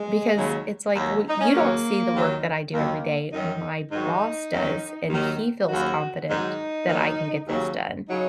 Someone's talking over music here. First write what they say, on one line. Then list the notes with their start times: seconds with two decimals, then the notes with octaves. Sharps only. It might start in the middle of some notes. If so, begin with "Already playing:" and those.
because it's like, "Well, you don't see the work that I do every day, my boss does, and he feels confident that I can get this done."
Already playing: G#3
0.35 D#2 C#3 F#3
0.94 D#2 D#3 F#3
1.28 D#4
1.40 C#4
1.53 D#2 C#3 F#3 A#3
2.12 D#2 D#3 F#3
2.72 D#2 D#3 F#3 A#3
3.31 F#2 D#3 F#3 D#4
3.91 G#2 D#3 F#3 D#4
4.51 F#2 D#3 F#3
5.09 D#2 D#3 F#3
5.69 D#2 C#3 F#3 F#4
6.28 G#2 D#3 F#3 D#4
6.88 D#2 D#3 F#3
7.47 D#2 C#3 F#3
8.07 C#3 F#3 D#4